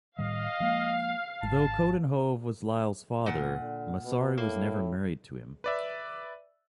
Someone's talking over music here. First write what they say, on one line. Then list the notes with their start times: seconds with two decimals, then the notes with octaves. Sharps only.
Though Coudenhove was Liesl's father, Massary was never married to him.
0.19 A2 D#3 G3 D#5 F5
0.60 F3 G#3 A#3
1.43 G#1 A5
3.26 A#2 F#5
3.60 D3
4.05 B2
4.38 A2 A#3
5.64 B4 D5 E5